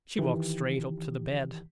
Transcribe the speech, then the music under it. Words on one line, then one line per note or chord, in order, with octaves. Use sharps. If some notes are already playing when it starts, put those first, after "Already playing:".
She walked straight up to the bed.
D#3 E3 G4